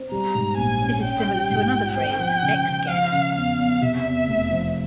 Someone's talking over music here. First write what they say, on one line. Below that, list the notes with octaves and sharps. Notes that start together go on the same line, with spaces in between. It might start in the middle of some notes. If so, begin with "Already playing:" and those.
This is similar to another phrase, X get!
Already playing: C4
G3 A#5
G#2
A#1 G#5
C#4
C#4 G5
G3
G#2
F4
C4 G5
F3
C#3
C#3
F3 F5
C#3
E2 F5
E2
C3 E5
E2
F1
F3